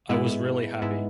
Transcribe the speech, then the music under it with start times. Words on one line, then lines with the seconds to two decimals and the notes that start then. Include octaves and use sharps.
I was really happy.
0.09 G#2 G#3 B3 E4
0.82 G#2 G#3 B3 E4